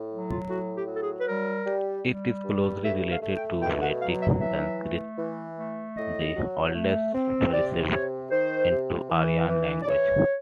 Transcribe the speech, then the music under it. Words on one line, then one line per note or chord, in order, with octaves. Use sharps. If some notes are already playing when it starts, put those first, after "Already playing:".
It is closely related to Vedic Sanskrit, the oldest preserved Indo-Aryan language.
Already playing: A2
F#3
F4
A2 F#4
G4
F#3
A4
G#4
B4
G3 A#4
G3
G3
G2
A3 E5
F5
A3
G5
B2 G5
F#5
F#3 F5
E5
E3 E5
A3
E3
A3
A2 D#5
F#3
A3
C4
C3 D5
C3 C#5
D#3 C5
C3
E3
E3
D5
E3 C#5